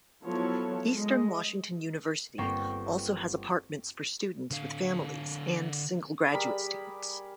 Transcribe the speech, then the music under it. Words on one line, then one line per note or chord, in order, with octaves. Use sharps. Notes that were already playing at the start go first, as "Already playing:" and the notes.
Eastern Washington University also has apartments for students with families and single graduate students.
F3 F#3 B3 E4 A4 C#5
G#3 D#5
G1 A#3 C4 G5 C#6 C7
D3 F5
G3 G#4 A#4 B5